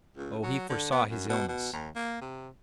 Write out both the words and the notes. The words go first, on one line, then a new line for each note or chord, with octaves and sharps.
Oh, he foresaw his illness!
C#2
F#3
D3
B3
F#2
B2
B2
D#2
A#3
C3